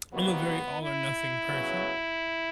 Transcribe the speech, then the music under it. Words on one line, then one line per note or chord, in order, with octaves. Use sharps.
I'm a very all or nothing person
C3 D#3 F#3 A#3 B3
E4
C#3 F#3 B3